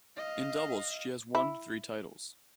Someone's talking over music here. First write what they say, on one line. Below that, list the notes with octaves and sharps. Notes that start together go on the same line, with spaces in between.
In doubles, she has won three titles.
D#5 F5
E4